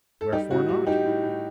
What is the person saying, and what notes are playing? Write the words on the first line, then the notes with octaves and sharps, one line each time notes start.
Wherefore not?
A4
G3 D#4 G4
A2 F#4
G3 F#4
G3 D#4 G4
A2
A2